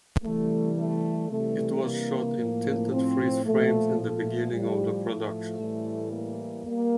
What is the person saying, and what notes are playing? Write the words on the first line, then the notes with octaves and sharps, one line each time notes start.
It was shot in tinted freeze frames in the beginning of the production.
C3 E3 G3 A3
A3
C3 E3 G3 A3
A#3
A2 F3
C4
A#2 F3 A3
A3
A2 F3 G3
A3
A2 E3 G3
A#3
G3 A#3